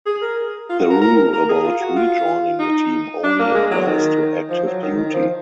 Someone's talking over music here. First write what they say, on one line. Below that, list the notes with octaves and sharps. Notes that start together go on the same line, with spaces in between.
The rule about rejoining the team only applies to active duty.
G#4
A#4
F4
F#4
A#4
A#4
A#4
A#4
G#4
F4
F#4
F4
D#4
D4
A#3
G#3
F#3
D#3
F3
F#3
D#3
D#3
F3